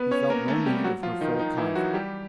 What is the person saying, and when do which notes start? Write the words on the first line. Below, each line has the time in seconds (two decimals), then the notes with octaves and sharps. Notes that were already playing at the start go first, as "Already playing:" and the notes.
He felt no need of her full confidence.
Already playing: B3 B4
0.11 C#4 C#5
0.30 A#3 A#4
0.48 A3 A4
0.66 G3 G4
0.84 F#3 F#4
1.03 F3 F4
1.21 D#3 D#4
1.39 D#3 D#4
1.58 E3 E4
1.75 F#3 F#4
1.94 G3 G4